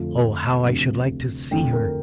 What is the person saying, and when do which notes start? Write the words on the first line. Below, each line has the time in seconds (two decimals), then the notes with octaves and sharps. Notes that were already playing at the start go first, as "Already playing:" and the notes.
Oh, how I should like to see her!
Already playing: F2 D3 F3 A3
0.64 D2 C3 F3
1.51 F2 D3 A3 C4 G5
1.73 A#4